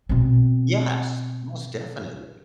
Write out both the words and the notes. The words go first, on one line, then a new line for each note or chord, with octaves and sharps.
Yes, most definitely.
B2 C4